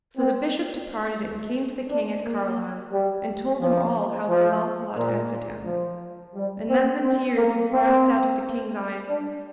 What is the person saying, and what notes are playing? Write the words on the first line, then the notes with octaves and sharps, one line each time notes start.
So the Bishop departed and came to the king at Carlisle, and told him all how Sir Launcelot answered him; and then the tears brast out of the king's eyen.
C4
D4
A#3
G3
F3
F3
A#2
F3
G3
C4
C4
A#3
C4
D4